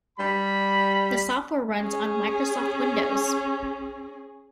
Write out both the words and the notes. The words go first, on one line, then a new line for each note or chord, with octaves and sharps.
The software runs on Microsoft Windows.
G3 B5
C#4 G#4